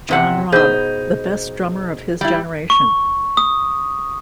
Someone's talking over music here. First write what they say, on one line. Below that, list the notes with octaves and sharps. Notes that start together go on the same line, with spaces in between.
John Robb: The best drummer of his generation.
E2 C3 F#5
B2 D#4 G#4 C5 G6
G3 E4
C#6
D#6